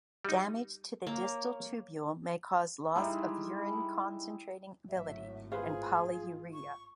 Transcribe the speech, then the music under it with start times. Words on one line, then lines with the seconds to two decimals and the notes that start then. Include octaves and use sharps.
Damage to the distal tubule may cause loss of urine-concentrating ability and polyuria.
0.25 G3 D#4
1.07 A#3 C#5
2.95 G3 G#3 D#4 E4
4.89 G#1 A2 F#3 E5
5.52 F4 G#4 B4 C5 F5
6.53 C#6